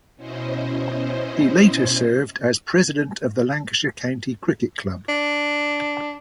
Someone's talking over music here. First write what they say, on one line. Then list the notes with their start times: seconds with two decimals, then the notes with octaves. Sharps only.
He later served as president of the Lancashire County Cricket Club.
0.16 B2 C#4 E4 C5 D#5
5.09 D4